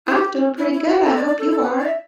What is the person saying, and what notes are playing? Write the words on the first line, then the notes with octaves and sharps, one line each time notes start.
I'm doing pretty good, I hope you are.
E4
G4
E4
E4
G4
A4
D5
D5
A4
A4
B4
D5
E5